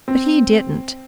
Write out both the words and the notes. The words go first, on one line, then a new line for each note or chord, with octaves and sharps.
But he didn't.
C4